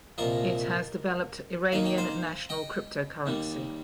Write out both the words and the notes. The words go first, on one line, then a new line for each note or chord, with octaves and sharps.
It has developed Iranian National Cryptocurrency.
C2 A#2 F3 A#4 D#5
D#2 D#3 A#3 D#4 F5
G5
C5 F5
D#5 G5
D#2 D#3 G3